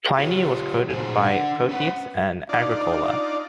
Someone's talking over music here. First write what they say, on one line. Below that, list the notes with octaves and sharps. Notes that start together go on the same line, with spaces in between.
Pliny was quoted by Photius and Agricola.
F4 G4 C#5
A#2 F#4 G#4 C5
D4 F#5
C#4 B4 F#5
D4 D#4 F4 D5